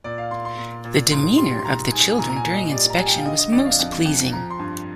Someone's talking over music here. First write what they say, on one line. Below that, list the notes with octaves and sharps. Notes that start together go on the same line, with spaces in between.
The demeanor of the children during inspection was most pleasing.
A#2 D5
F5
A#2 C6
C6
A#2
A#2
G#2 C6
G3 C6
C6
G3 A#5
G#2 G#5
G#5
A#2 A#5
A#5
G#5
A#2
D#5
G3 D5
A#5
G3 G#5
G5
F5
D3 D#5
D#5
F2 D5
F5
F2
F2
F3 A#5
C6
G2